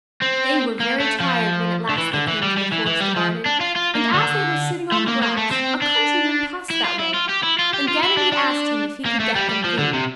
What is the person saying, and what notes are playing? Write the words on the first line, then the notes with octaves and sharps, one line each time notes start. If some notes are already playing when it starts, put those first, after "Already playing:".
They were very tired when at last they came to the Forest of Arden, and as they were sitting on the grass a countryman passed that way, and Ganymede asked him if he could get them food.
C4
A#3
A3
F3
D3
E3
D3
E3
G3
G3
E3
E3
G3
F3
D4
F4
F4
A#3
D3
A3
A#3
A#3
A3
C4
D4
E4
F4
E4
F4
G4
E4
F4
G4
F4
E4
D4
D4
A#3
A3
G3
G3
F3
D3
C3